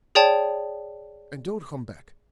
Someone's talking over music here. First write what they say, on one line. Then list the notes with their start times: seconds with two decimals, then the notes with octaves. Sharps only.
And don't come back.
0.15 G#4 C#5 D5 G5 A5